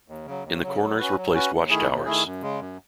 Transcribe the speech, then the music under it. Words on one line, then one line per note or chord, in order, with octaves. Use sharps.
In the corners were placed watch towers.
D#2
C#3 F#3
D#2
C#3 F#3
F#3
C#4 F#4 B4
F#3
C#4 F#4 B4
D#2
D#3 A3 E4 G#4
D#2
D#3 A3 E4 G#4
F#2
C#3 G#3
F#2